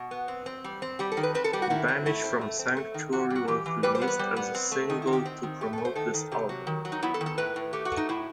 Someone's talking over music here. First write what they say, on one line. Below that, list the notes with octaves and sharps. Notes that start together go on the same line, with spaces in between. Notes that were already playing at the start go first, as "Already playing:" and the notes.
"Banish from Sanctuary" was released as a single to promote this album.
Already playing: B2
B3
C4
C4
G3
C4
G3 G4
A4
D#3
B4
C4 B4
A4
G3 G4
F#4
D#3 E4
C4
A3 E4
C4
A3
C4
A3
D#3
E3 F#4
G3
F#4
E3 G4
E3
G3 B4
C5
B3
B4
G3
B3
C4
A3
D#3 D#4
E4
D#3
G4
C4
D#3
A3 G4
A3 A4
C5
D#3 A4
D#3
C3 G4
F#3
D#3
F#3
D#4
B3 E4
A4
D#3
A4
A2 B4
A2
A3 G4
F#4
A3
D#4
A2 E4